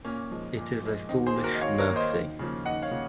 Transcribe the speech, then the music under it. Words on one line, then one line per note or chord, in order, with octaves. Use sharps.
It is a foolish mercy.
A#2 A#3 C#4
F3 G#3
A#2
F3 G#3
D#2 C4 D#4
G#4 C5
D#3 A#3
F#4 A#4
D#5
D#2 C#5 F5
A#4 C#5
D#3 A#3
C5 D#5
D#2
C#3 F3 A#3
D#2 D#5 F#5
C#5 F5
C#3 F3 A#3